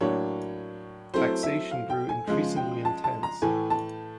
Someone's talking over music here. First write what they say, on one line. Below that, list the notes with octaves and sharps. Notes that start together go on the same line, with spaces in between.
Taxation grew increasingly intense.
A2 F#3 A#3 D4 C#5
F#3 A3 C4 E4 C5
E5
F5
G5
G#5
C#3 F3 G#3
G5
A5
A5
A#5
A2 E3 A3 G#5
A5